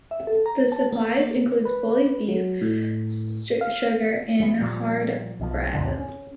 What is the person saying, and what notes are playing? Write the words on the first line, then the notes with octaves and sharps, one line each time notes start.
The supplies include bully-beef, sugar and hard bread.
E5
A4
A#5
A5
A#3
A#3
B4
F#3
A2
F5
F3 G#3 A#3 B3
A#2 F3 G3 A#3
B1 B2 D#3 F3
C#2 F#2 A#2 D3
C#4